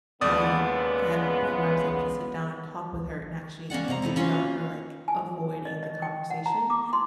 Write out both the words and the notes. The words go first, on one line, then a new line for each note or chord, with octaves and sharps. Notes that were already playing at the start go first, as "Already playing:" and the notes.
I had a point where I was able to sit down, and talk with her, and actually without her, like, avoiding the conversation,
D#2 C#3 G#3 B3 D5 D#6
A#3 C#4 D5 F#5
C3 G#3 D5 A#5
C3 D#4 E4 A4
A#3 C#4 F4 F#4 C#5 F5
G#5
D#5
D#5
G5
F#5
A#5
D6
C6